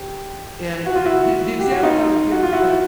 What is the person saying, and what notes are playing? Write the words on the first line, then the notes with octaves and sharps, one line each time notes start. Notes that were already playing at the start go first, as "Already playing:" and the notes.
And the the example I would give is that
Already playing: G4
F#4
F4
E4 F#4
G4
F#4
D#4 F4
F#4
F4
E4 F#4